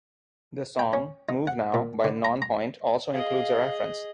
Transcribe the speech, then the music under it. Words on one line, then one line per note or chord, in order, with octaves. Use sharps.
The song "Move Now" by Nonpoint also includes a reference.
G5
C#4
D#4
F#5
A#2
D3
A#5
A#5
G#4 D#5 F5